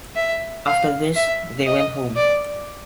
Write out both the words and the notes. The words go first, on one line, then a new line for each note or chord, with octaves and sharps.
After this, they went home.
E5
F5
E5
D#5
D5